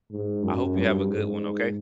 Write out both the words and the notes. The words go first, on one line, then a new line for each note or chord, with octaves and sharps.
I hope you have a good one, okay?
G#2
F#2
G2
G#2